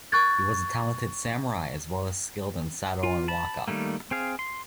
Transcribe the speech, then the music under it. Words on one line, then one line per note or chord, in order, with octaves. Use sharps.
He was a talented samurai as well as skilled in sado and waka.
C#6 F#6 G#6 A6
F4
A5 B5
D#3 G3 A3 A#3
C4 G#4 F5
C6